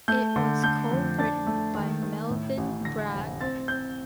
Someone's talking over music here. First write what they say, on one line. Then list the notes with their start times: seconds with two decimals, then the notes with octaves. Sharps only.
It was co written by Melvyn Bragg.
0.08 A3 G6
0.36 D3
0.63 A3 G6
0.91 F2
1.19 D4 A6
1.47 A3
1.74 D#3
2.03 D#3
2.30 A2
2.58 A1
2.85 D3 A#6
3.13 F1
3.41 C4 A6
3.68 C4 G6